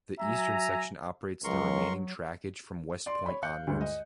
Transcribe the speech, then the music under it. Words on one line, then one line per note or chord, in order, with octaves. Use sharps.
The eastern section operates the remaining trackage from West Point onwards.
F#3 E5 G#5 A#5
C#2 F#3 A#4 C6 C#6
D5 C6
C#5 B5
F5 F#6 G6 C#7
D2 G2 G#3
D#5